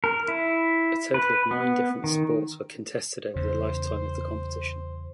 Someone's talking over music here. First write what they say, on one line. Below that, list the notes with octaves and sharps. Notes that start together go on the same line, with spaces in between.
A total of nine different sports were contested over the lifetime of the competition.
A#4
E4
B4
B3
D#3
E2 C#3 C5